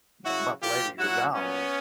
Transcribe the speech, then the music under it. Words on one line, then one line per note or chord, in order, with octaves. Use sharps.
and a month later you're gone,
C#3 F#3 E4 F#4
A#2 F3 F4 G4
A#2 F#3 E4 F#4
A#2 F#3 B3 C#4